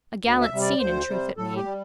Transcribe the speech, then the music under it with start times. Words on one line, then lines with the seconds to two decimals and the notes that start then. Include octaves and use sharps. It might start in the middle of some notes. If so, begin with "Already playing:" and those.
A gallant scene in truth it made.
0.22 D2
0.41 E5
0.51 C3 G3
0.60 D5
0.79 D2 C5
1.08 C3 G3
1.37 A2 A4
1.56 G4
1.65 G3